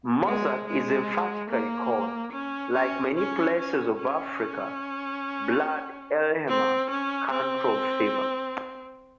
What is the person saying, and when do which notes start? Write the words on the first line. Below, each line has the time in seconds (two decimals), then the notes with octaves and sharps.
Mourzuk is emphatically called, like many places of Africa, "Blad Elhemah", country of fever.
0.25 G#3
0.67 G#3
1.50 A#3
2.32 C#4
2.74 C#4
3.16 C#4
3.58 C#4
3.98 C#4
6.48 C4
6.90 C#4
7.31 C4